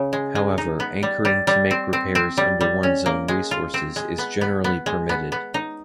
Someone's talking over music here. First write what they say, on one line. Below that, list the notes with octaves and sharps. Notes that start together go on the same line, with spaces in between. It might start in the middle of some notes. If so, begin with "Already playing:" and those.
However, anchoring to make repairs under one's own resources is generally permitted.
Already playing: C#3 C#4
G#3
G#3
D#4
B3
G3
G3
G3
C4
C4
C4
G3
G3
C#4
A#3
G#3
F4
C4
G#3
B3
B3
B3
G#3
B3
B3
D#4